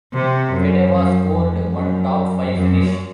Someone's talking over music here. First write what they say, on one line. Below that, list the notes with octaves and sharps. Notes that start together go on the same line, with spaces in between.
Fedewa scored one top five finish.
C3
F#2
F#2
F2
F#2
F#2